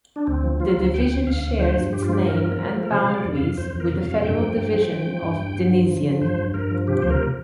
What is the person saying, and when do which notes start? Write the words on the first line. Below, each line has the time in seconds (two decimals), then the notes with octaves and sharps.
The division shares its name and boundaries with the federal division of Denision.
0.16 D4
0.27 D2 C4
0.44 F3
0.60 F3 F4
0.77 D2
0.94 D2 G5
1.10 D2
1.27 D2 F5
1.43 D2
1.59 F3 C5
1.76 G2
1.93 G2 G4
2.02 F4
2.09 F3 G4
2.26 G2 A#4
2.42 F3
2.58 F3
2.75 F3
2.83 A#4
2.91 C3 C5
3.08 C3 F5
3.14 D5
3.25 F2
3.35 F5
3.41 F2
3.57 F2 C5
3.74 F2
3.80 A#4
3.91 C3
4.01 F5
4.07 F2
4.23 G2 G5
4.40 F3
4.56 G2
4.73 F3
4.90 F3
5.06 F3
5.22 G2
5.39 G2
5.56 G2
5.72 F3
5.89 F3
6.06 F3
6.21 G2 C5
6.38 G2
6.54 G2 A#4
6.71 F3
6.87 C3 G4
7.02 D2 C5
7.10 A#4